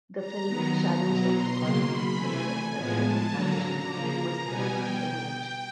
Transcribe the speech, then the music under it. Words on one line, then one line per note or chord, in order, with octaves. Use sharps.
The film Shadows of Forgotten Ancestors by Sergei Parajanov was filmed in the village.
A#5
D#3 F#3 B3
B2 F#3 B3 A#5
C6
C#3 F#3 A#3
B5
C3 E3 A3 G#5
A2 F3 G#3 B3 G#5
A5
D3 F#3 A#3 A#5
C#3 F3 A#3
B2 G3 B3 G#5
G5